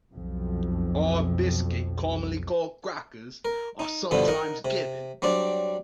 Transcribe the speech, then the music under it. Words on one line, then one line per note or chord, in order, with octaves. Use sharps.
Hard biscuit, commonly called crackers, are sometimes given.
B1 F2
A#4
D#4
G2 B2 D3 F3 B3
D#4 A#4 F#5
C3
F#3 G3 C4 D4 D5